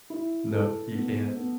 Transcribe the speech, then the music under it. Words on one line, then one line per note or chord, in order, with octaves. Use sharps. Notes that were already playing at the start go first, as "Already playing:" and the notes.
No, you can't.
E4
A4
B3
B3